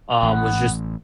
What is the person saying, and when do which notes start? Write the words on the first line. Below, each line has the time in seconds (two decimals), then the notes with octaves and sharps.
um, was just
0.23 A1 B3 F#5